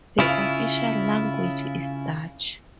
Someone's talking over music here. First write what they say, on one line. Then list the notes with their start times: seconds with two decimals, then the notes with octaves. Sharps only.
The official language is Dutch.
0.19 C#3 E4 F4